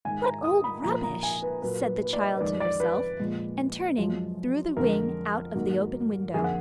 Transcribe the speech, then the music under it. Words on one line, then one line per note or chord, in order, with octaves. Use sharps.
'What old rubbish,' said the child to herself, and, turning, threw the wing out of the open window.
G#2 D#3 G#3 G#5
A#5
D#6
B5
A#2 F3 A#3 A#5
A#5
G#5
B4
A#2 F#3 A#3 B4
B4
B4
D5
D#5
B4
F2 D#3 G#3 D5
D5
B4
A#2 F3 G#3
F#2 F3 G#3
F2 D3 F3 G#3 A#4
G#2 D#3 F#3 A#3
F2 D3 F3 A#3 G#4
F#5